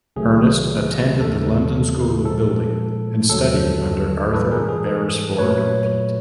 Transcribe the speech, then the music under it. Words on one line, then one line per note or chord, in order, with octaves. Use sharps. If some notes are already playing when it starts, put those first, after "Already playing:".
Ernest attended the London School of Building and studied under Arthur Beresford Pite.
C2 C3 D#3 F#3 A3 G#4
D#2 C#3 E3 A3 A4
A#2 F3 G#3 A4
D#2 D3 F#3 A4
G#2 E3 G3 A4 B4
G#4 A#4
G#4
A4
A#2 F#3 A3 B4 C#5